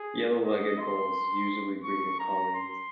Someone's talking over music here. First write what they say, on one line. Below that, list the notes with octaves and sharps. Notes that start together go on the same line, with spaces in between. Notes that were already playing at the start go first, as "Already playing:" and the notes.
Yellow-legged gulls usually breed in colonies.
Already playing: G#4
D#5
C6
C#6
A#5
C6